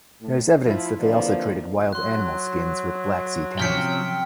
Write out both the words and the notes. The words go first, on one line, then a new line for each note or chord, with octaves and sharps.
There is evidence they also traded wild animal skins with Black Sea towns.
A2
F3 E4 F4
F2 D3 E3 F3 A#3 D5
F#3 C6 F#6
C3 F3 C#4 G5 F6 B6 C#7